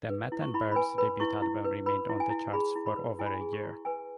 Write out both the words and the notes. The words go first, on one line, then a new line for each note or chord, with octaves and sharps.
The Mutton Birds debut album remained on the charts for over a year.
B4
E4
C#6
E4 B5
B5
B4 G#5
B4 B5
E4 C#6
E4
B4
B4 B5
E4
G#5
E4
G#4 B5
E4
B5
B4
E4 G#5
B5
G#5
G#4
C#6
E4
B4 G#5